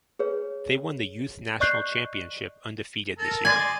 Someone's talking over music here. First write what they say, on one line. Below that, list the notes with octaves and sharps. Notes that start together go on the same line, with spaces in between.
They won the Youth National Championship undefeated this year.
G#4 B4 C#5
D5 D#5 C#6 F#6 G6 C7
A4 A#4
D5 D#5 G#5 C6